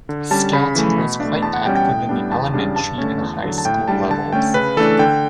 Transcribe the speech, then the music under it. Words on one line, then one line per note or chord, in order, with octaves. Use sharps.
Scouting was quite active in the elementary and high school levels.
D3
G3 C#4 A5
C#3 B5
E3 A3
B2
D4
A3
E2 A5
F#5
B2 G3 C#4 G5
G5
A2
G3 B3 D4
E2 A5
C#3 G3 D4
G2 A5
D3 A3 C#4
E2
D3 F#3
A5
A2 G5
G3 D4 A5
D3 A5
A3 C#4 G5
C#3 B4
E3 A3 D4 A4
D3 G5